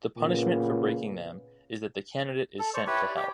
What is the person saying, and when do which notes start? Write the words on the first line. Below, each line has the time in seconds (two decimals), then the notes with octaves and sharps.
The punishment for breaking them is that the candidate is sent to Hell.
0.17 A#2 C#3 B3
2.59 A4
2.74 C5 D5 C#6
2.87 E4 G4 B4 C#5
3.03 D5
3.17 G4